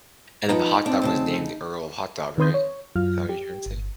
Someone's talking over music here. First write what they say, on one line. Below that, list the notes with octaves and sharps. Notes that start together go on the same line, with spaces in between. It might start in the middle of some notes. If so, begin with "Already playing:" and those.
And then the hot dog was named the Earl Hot Dog, right? Is that what you're trying to say?
F3 B3 D#4 A#5
C4 D4
D2 C#3 A5
D#3 C4 B4 C6 D#6 G6
C#5
F#2 F#3 F4 F6
G4
G1